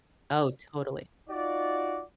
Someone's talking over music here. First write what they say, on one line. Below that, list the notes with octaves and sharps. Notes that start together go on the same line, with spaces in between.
Oh, totally.
D#4 F4 F#4 D5